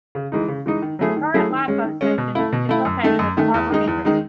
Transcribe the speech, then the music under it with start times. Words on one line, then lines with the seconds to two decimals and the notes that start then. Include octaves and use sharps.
The current lifeboat station is located at the harbour entrance.
0.15 C#3
0.32 E3 G#3 D#4
0.48 C#3
0.66 E3 G#3 D#4
0.82 D#3
0.99 F#3 A3 E4 G#4
1.16 D#3
1.34 F#3 A3 E4 G#4
1.50 D#3
1.68 G#3 C#4
1.84 D#3
2.01 G#3 C#4
2.18 B2
2.35 A3 E4
2.52 B2
2.69 A3 E4
2.85 F#2
3.03 D#3 A3
3.19 F#2
3.37 D#3 A3
3.54 E2
3.70 D#3 G#3 D#4
3.87 E2
4.05 D#3 G#3 D#4